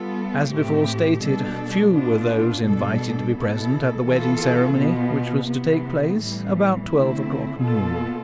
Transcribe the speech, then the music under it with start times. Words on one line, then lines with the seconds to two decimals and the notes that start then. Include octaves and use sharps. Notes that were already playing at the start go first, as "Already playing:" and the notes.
As before stated few were those invited to be present at the wedding ceremony, which was to take place about twelve o'clock noon.
Already playing: G3 B3 F4 A4
0.50 A2 E3 A3 C4 G4
1.21 B2 G3 D4 A4
1.93 B2 B3 D4 F4
2.64 B2 G3 D4 A4
3.36 B2 B3 E4 A4
4.07 E3 B3 F4 A4
4.77 B2 B3 F4
5.49 C3 E3 B3
6.20 A2 E3 G3 B3
6.91 D3 A3 C4 E4
7.62 B2 B3 F4 A4